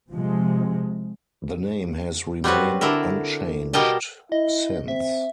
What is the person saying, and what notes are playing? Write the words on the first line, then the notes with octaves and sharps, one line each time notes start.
The name has remained unchanged since.
C3 F3 G#3
G3 B3 C4 F#4 B4 C#5
D3 E4 A4 A#4
B2 G3 A#4 D#5 G5 A5
E4 D#5
C4 E5